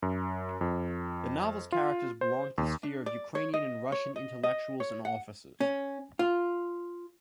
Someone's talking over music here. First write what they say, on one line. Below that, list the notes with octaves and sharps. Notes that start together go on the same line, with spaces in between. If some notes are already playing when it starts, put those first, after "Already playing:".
The novel's characters belong to the sphere of Ukrainian and Russian intellectuals and officers.
F#2
F2
F4
C5
D#2
D4
D5
C#5
D#5
C#5
D#5
D#5
C#5
F#5
C#4
F4